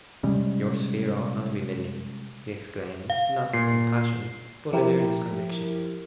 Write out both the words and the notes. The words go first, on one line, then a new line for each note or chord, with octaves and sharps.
"Your sphere ought not to be middling," he exclaimed, not in passion, but in earnest conviction.
C3 G3 G#3 C#4
F5
A#2 C7
F3 E4 G4 A#4